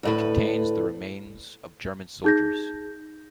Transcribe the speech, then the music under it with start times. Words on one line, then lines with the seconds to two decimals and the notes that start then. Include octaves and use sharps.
It contains the remains of German soldiers.
0.03 D2 A2 B4
2.24 D#4 G#4 G6 G#6 A#6